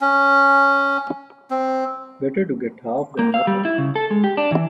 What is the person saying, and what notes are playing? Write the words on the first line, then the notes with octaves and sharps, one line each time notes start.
Better to get half than nothing.
C#4
C4
A#3
F5
G3
E4
C#3
A4
G#3
G4
D4
E3